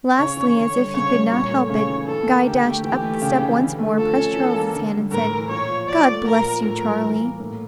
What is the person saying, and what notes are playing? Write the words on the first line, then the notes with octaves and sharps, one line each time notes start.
Lastly, as if he could not help it, Guy dashed up the step once more, pressed Charles's hand, and said, 'God bless you, Charlie!'
C#3 C#5
E3
D3 C#5
G3
C#3 C#5
G3
A#2 C#5
A3
C#3 C#5
E3
E3 A4
A#3
D3 G4
A3
E3 G4
A3
C#3
E3
D3
A3
F3 A4
C#4
E3
A#3
D3
G3
A2 A#4
E3
A#2 C#5
F3
F3 D5
A3
A#2 A#4
F3
A2 A#4
G3
E3
A#3
A2